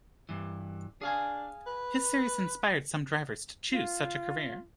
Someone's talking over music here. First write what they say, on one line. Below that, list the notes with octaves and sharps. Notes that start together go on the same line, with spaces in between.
His series inspired some drivers to choose such a career.
G2 E3
D4 G#4 F5 G#5
B4
F4